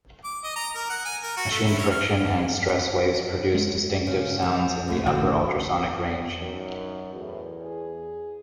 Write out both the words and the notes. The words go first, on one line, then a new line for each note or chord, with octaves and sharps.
Machine friction and stress waves produce distinctive sounds in the upper ultrasonic range.
D6
D#5
A#5
A#4
F#5
G#5
A#4
F#4
A3
E4
C#5
F6
F#3
G#3
C#3
F3
D#2 A3
A1 D3 C4 F#4 A4
F#2 D#4
E2 A2
G#4